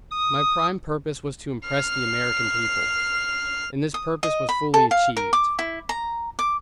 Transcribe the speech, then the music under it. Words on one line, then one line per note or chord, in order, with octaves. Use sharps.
My prime purpose was to impress the American people; and this purpose was fully achieved.
D#6
F6 C7
D#6
D#5
B5
A4
F5
A#4
D6
E4
A#5
D6